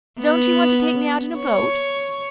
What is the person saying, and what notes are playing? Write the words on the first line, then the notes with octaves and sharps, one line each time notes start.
"Don't you want to take me out in a boat?"
B3
C#5